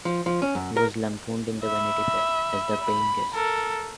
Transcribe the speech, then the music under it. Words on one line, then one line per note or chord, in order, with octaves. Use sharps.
He was lampooned in "Vanity Fair" as "the paying Guest".
F3
F3
C#4
F#2
A#4
E5 B5
B5
A4 A#4